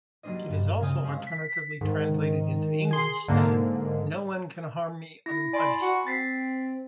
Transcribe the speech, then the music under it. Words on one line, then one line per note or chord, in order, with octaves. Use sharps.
It is also alternatively translated into English as "No one can harm me unpunished".
F#3 G3 A#3 D4 C5 D#5
G2 A#2
C#3 C4 F5 G#5 D#6 G6
G#3 C#4 C5
B6
G#2 D#3
G#4 C6
G#2 D3 A#3
E4 A#6
D5 G#5 B5 C6
F#4
C4 A6 B6 C7